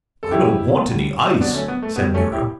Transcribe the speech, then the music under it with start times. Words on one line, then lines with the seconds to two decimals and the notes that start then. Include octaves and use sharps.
"I don't want any ice," said Nero.
0.23 A4
0.31 F#2 C#3 F#3 E4 G4
0.86 D2 D3 G3
1.41 D2 D3 F#3 B3 D4
1.54 A3 C#4
1.68 B3
1.82 A3
1.95 G2 D3 G3 B3
2.14 A3 C#4
2.32 E4 G4